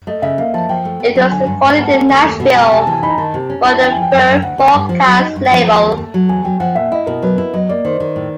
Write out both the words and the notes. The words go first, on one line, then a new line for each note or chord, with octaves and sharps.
It was recorded in Nashville for the Verve Forecast label.
A3 D#5
C#3 E5
A#3 F5
F3 A5
F3 G5
A3
B3
F#3
D3 G#5
G2
G#2
B3 A5
A3 G#5
D#2
A3
B2
G#3 G#5
A5
C3 G#5
A5
E3 G#5
D#4 B5
A#5
D#3 A5
C3
C#4
E4 A5
E2 G5
F3 G#5
G5
F#2
F#2
D2 F#5
D2
G2
F3
F#3
D#4
G2
F3
D#2 A5
D#2
A3
F#3
E2 G#5
F#3 G5
F3 F#5
A#2 E5
E4 D#5
B2 A#4
F#3 B4
E4
F#3 D#5
A#3 D5
D#3 C5
D#3
A2